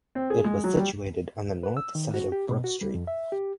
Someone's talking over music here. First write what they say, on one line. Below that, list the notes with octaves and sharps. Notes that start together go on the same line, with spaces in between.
It was situated on the north side of Brook Street.
C4
G#4
G#3
F#3
G3
B4
E6
D#3
F#4
G4
B2
F#4
G3
F2
E5
G4